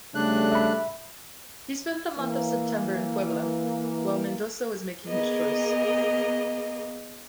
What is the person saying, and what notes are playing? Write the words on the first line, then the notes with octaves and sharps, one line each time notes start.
He spent the month of September in Puebla, while Mendoza was making his choice.
C#3 G3 A3 D4 F#6
E5 B5
E3 A#3
A#3 B3 G#4 A#4 D#5